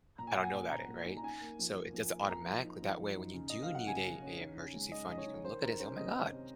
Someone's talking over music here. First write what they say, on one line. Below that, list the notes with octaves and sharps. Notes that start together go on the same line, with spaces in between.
I don't know about it," right? So it does it automatically. That way, when you do need a an emergency fund, you can look at it and say, "Oh my god.
A#2 A#5
G#5
A#2 F#5
G#5
A#2
A#2 A#5
A#2
D#4
A#5
D#4 G#5
A#3
F3
A#3
F3
A#3
F3 A#5
F3
D#4
F3
F3
D#4
C#3
A#3 D#5
F5
F#3
F#5
C#3 G#5
F#3
C#4
D#4
C#3
G#3
D#4 D#5
C#3 D#5
C#5
D#4
D#3 C5
D#3 A#4
C#4 C5
C3 D#5
C#4
C3